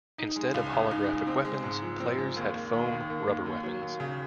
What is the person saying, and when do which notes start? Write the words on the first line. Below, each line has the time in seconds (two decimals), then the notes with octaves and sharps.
Instead of holographic weapons, players had foam-rubber weapons.
0.18 D#4
0.36 G#3
0.54 C#2
0.73 C#3
0.91 D#4
1.09 G#3
1.27 C4
1.45 G#3
1.64 G#2
1.82 F3
2.00 C4
2.18 G#3
2.36 D#2
2.55 A#3
2.73 D#2
2.91 D#3
3.10 D#2
3.27 A#3
3.46 D#2
3.63 F#3
3.81 D#2
4.00 C#3